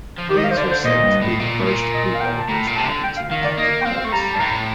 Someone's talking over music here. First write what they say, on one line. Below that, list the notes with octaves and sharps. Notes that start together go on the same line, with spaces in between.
These were said to be the first revolvers patented after Colt's.
F3
D#3 G4
D#5
F5
C5
D3 D5
C5
A#2 D#5
G2
A2
A#2
A2
A#2
D#5
F5
G5
A5
A2 A#5
A#2
C3 A5
D3
G5
F5
D#3 F5
D5
A#3 D#5
G5
C4 F5
A3
G3 A#5
A5
G2
A2 A#5